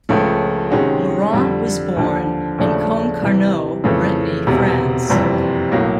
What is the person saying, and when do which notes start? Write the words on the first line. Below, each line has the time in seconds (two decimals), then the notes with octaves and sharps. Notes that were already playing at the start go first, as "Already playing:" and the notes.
Laurent was born in Concarneau, Brittany France.
0.09 C#2 C#3 F3 A3
0.71 C3 D#3 G#3 C#4 F#4
1.33 F2 D3 G3
1.96 D#2 D3 F3
2.58 D#2 C#3 F3 A3 D4
3.22 C3 E3 G3
3.84 F2 C#3 E3 A3
4.47 E1 E2 C3
5.10 F#1 F2 C3 E3 G3
5.72 B1 A2 F#3 A#3